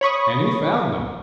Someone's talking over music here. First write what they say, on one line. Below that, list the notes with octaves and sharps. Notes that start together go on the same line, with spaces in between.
And he found them.
C#5 B5 C#6 D#6